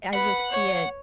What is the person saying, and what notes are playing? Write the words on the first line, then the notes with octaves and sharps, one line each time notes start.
I just see it
B4 F#5
C#5